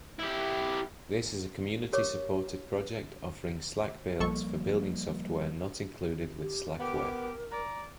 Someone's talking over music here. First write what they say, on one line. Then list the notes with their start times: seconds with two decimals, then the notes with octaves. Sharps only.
This is a community-supported project offering SlackBuilds for building software not included with Slackware.
0.19 E4 G4
1.93 G4 A#4 C#5 C#6 D6
4.20 A#1 F3 G3 A#3 A4 C#6
6.40 G4
6.79 B3 G4 A#4 D6
7.51 D5 A#5